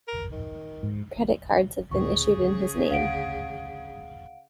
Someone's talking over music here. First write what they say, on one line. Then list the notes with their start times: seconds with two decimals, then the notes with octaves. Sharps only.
Credit cards have been issued in his name.
0.08 A#4
0.32 D#3
0.83 G#2
1.91 D2 A2 C#3 G#4 C#6
2.91 D2 F5 F#5 D7